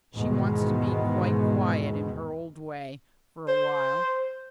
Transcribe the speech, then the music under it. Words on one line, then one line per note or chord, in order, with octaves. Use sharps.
She wants to be quite quiet in her old way for a while.
E2 G#2 B2 D#3 G#3 B3
C5